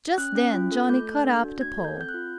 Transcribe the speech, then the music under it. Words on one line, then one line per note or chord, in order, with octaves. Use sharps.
Just then Johnnie caught up the pole.
C#4 F#6
C#4
F4
A4
A3 G6
A4
D4
F#4
A3 G#6
A4
G6
C4 G6
F#6
F4